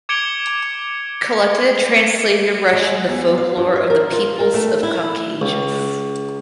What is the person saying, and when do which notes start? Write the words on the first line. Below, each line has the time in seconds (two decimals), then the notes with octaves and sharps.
Collected and translated into Russian the folklore of the peoples of the Caucasus.
0.09 D6 G#6 C#7 D7 F7 G7
2.73 G#3
3.08 E2
3.38 F5
3.57 G2
3.76 C#5
3.90 A#4
4.12 F4
4.40 A#4
4.54 A3
4.83 E4
5.41 C#2